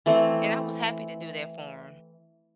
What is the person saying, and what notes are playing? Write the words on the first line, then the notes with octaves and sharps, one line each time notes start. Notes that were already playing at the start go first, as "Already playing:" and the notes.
And I was happy to do that for him.
E3 A3 C4